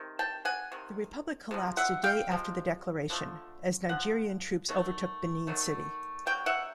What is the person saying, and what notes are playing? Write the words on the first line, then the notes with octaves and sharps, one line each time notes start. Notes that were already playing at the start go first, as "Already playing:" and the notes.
The republic collapsed a day after the declaration as Nigerian troops overtook Benin City.
Already playing: C3 D#3
G5 A5
F#5 G#5
C3 D#3
C3 F3 G#3
E5 F#5
F5 G5
C3 F3 G#3
D3 F3 A3
D3 F3 F#5
D#3 F#3 A3
D#3 F#3 A3
D3 F#3 G5
E5 F#5